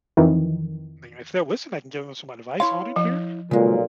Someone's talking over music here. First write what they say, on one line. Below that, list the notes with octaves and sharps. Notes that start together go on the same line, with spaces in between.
mean, if they'll listen, I can give them some advice on it here.
F2 D#3 E3
E4 C#5 F5 C6
F3
B1 A#2 C#3 G#3